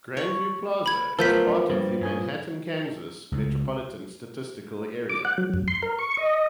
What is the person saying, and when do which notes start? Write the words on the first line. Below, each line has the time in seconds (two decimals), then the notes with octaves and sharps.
Grandview Plaza is part of the Manhattan, Kansas Metropolitan Statistical Area.
0.17 C#5
0.86 B5 G#6
1.19 F3 F#3 A3 B3 A4 A#4 G6 B6
1.70 G2 G3 A#3
2.01 G2 C#4 G#4
3.32 C#2
5.10 D6
5.25 F#5
5.38 F#3
5.54 F#2
5.68 C6
5.82 A#4
5.99 C#6
6.17 D#5